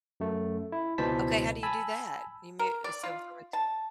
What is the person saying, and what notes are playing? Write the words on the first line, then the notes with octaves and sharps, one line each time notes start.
Okay. How do you do that? You mute eh, so from a t
F#2 A3
E4
C#2 B2 E3 C5 A5 B6
G#5 A5 B5 E6
A#4
D5
F4
A5